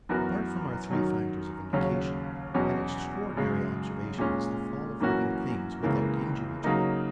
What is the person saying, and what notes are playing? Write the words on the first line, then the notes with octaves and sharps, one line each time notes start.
Apart from our three factors of indication, an extraordinary observation is the fall of living things without injury to them.
F#2 E3 B3 F#4 A#4
F#2 D#3 F#3
D#2 C#3 F#3 C#4
E2 B2 F#3 C#4
F#2 C#3 G#3
A#2 G#3 C#4
F#2 E3 A#3 C#4 F#4
C#2 C#3 E3 A#3
C#3 F#3 A#3 D#4